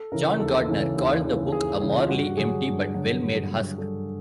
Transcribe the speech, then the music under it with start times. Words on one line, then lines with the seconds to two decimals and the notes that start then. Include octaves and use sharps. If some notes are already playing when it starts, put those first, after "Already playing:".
John Gardner called the book a morally "empty but well-made husk".
Already playing: A4
0.12 C#3 E3 A#4
0.40 D#2 A4
0.68 C#3 E3
0.96 D#2
1.25 C#3 E3
1.52 D#2 G#4
1.81 C#3 E3 G#4
1.99 F4
2.09 G2 F#4
2.31 G4
2.37 D3 F#3 G#4
2.66 G2
2.94 D3 F#3
3.22 G2
3.51 D3 F#3
3.78 G2 A4